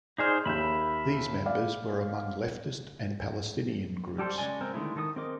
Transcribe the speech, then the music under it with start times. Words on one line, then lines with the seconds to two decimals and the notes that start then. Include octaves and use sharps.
These members were among leftist and Palestinian groups.
0.18 D#4 G#4 C5 D5 F6
0.45 D#2 D#3 E5 B5 G6
1.46 D5 F5
4.18 G3 G4 A4 C5 D5
4.38 C#3 G#3 D5 G#5
4.61 G#3 C4 A#4
4.74 D3 D#3 G#3 A3 E4
4.96 D#3 A4 D#5 D#6
5.16 C4 G#4 A#4 D#5 D6